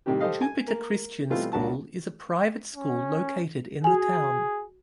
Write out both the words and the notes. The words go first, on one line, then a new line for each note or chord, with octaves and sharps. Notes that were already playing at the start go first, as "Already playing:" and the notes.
Jupiter Christian School is a private school located in the town.
A2 C3 D#3 G3 G4
G4 A4 C5 D#5 F5
G#5
A#3
B2 E3 G3 A3 C4 F4
C#2 A#3 D4 F#4 A5
C#4
F#4 G#4 G#5